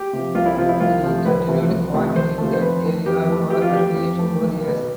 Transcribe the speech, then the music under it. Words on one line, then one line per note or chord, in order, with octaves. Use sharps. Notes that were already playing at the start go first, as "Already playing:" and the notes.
He continued farming in that area for at least four years.
Already playing: G4
C3 F3
C2 F4
E4
C3 F3 F4
E4
C2 F4
C3 F3 A3
C2 B4
C3 F3 A3
C2
C3 F3 A3
C2 C5
C3 F3 A3
C5
F2 B4
E3 A3
F2 G4
E3 A3
F2 G4
F4
E3 A3 G4
F2
E3 A3
B1
B2 B3